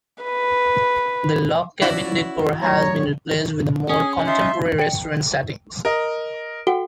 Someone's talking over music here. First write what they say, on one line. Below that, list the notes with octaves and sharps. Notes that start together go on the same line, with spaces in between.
The log cabin decor has been replaced with a more contemporary restaurant setting.
B4
C#4 E4 F#4 C#5 D5
A2 F#3 G3 C#5 A#5
C#4 G#4
D#4 F4 E5 C6
G5 C#7
A#4 D#5
F#4 A4 F#5 G5 G7